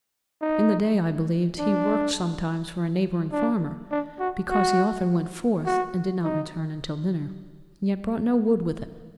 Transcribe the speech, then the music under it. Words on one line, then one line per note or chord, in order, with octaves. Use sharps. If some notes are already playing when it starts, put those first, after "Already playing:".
In the day, I believe, he worked sometimes for a neighbouring farmer, because he often went forth and did not return until dinner, yet brought no wood with him.
D#4
D4
D4
D4
F#4
F#4
F#4
D#4